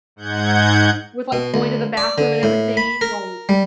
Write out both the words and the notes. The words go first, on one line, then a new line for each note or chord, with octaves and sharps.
with, like, going to the bathroom and everything, like
G#2 F#5 G6 G#6
B2
D2
D5
D3
A2
B5
A#4
G3